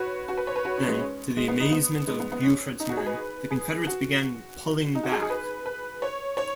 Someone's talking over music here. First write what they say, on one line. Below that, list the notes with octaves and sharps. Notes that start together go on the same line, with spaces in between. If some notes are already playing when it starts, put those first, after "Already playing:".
Then, to the amazement of Buford's men, the Confederates began pulling back.
Already playing: F#4 B4 C#5
F#4
B4
C#5
B4
F#4
C#4
G#3
C#4
G#3
B3
D#4
B3
G#3
B3
B3
C#4
D#4
F#4
G#4
B4
G#4
F#4
D#4
F#4
G#4
G#4
B4
B4
C#5
C#5